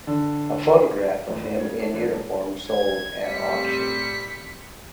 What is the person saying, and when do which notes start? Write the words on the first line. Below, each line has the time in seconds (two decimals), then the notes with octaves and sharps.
A photograph of him in uniform sold at auction.
0.07 D3
1.27 F1 A#1 F2 A2 D#3 E3
1.41 G#1
1.60 C#3 G3 G#3 C#4 C#5 G#6
1.79 F#4 A4 C#5 D5
1.94 D3 E3 G#3 A#3 C4
2.08 G#2 B2 F3 F#3 G#3
2.69 G#6
3.22 A2 G3 C4 B6 C#7